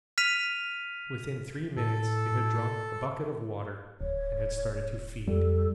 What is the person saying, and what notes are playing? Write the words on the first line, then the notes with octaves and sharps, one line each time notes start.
Within three minutes it had drunk a bucket of water and had started to feed.
F6 B6 D#7 F7
A2 A4
D1 C#5
F2 G3 A4